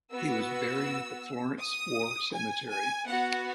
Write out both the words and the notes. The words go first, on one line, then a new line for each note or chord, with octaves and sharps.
He was buried at the Florence War Cemetery.
B3 F#4 E6
D#6
G#5
G#5
B3 F#4 F#5